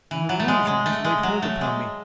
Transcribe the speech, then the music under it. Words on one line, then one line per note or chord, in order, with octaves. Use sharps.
An illusion has laid hold upon me.
E3
F#3
A3
G#3
G#3
A3
G#3
F#3
A3
G#3